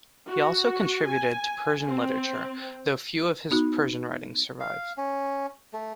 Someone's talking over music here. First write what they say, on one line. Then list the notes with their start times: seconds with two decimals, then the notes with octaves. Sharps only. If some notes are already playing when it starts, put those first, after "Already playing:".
He also contributed to Persian literature, though few of his Persian writings survive.
0.28 F#4
1.06 G#5
1.87 C4
3.51 B3 D#4 F#4
4.60 F5
4.97 C#4
5.73 A3